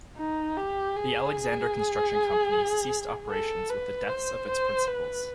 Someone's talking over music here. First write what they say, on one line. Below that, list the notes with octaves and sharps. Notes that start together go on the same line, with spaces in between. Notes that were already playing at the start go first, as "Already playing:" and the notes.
The Alexander Construction Company ceased operations with the deaths of its principals.
D#4
G4
G#4
A4
B4
C5
C5
B4